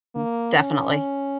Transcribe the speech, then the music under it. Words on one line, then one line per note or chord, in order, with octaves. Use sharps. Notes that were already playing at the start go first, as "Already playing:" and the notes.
M definitely.
A#3
C#4